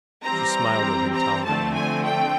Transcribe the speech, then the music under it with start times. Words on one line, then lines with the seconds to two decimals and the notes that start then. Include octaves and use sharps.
She smiled at him tolerantly.
0.24 E3 G3 C4 A#5
1.14 A#5
1.44 D3 F3 A3 C4 A5
1.74 G#5
2.04 G5